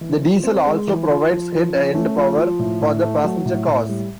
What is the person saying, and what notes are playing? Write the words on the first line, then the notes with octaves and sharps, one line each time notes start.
The diesel also provides head end power for the passenger cars.
E3
F4
C4
G#3
E3
F4
F3
F3
C#4
A3
F3
F3
A2
A2
A3
F#3
A2
A2
G3